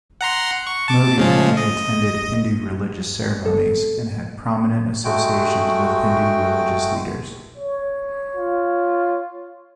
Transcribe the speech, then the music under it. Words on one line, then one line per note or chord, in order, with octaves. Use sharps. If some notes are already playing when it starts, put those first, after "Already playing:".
Modi only attended Hindu religious ceremonies, and had prominent associations with Hindu religious leaders.
F#5 A#5 C6
C#6
A5 D6
C#3 F3 G#3
D#5
A4
G#3 A3 F#4 G5
C#5
F4